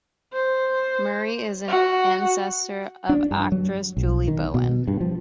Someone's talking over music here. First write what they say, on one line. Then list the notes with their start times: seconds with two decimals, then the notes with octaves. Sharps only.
Murray is an ancestor of actress Julie Bowen.
0.33 C5
1.68 F#4
3.09 D4
3.31 G2
3.52 F#3
3.97 B1
4.28 D#3
4.54 B2
4.88 G2
5.01 F3